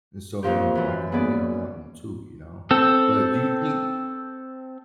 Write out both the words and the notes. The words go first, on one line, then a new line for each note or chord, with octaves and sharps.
And so, um, I can relate on that one too, you know? But do you think
F2 A#2 F3 G4
F#2 E3
A#3 B3 G#4 B4 D5
C4 A4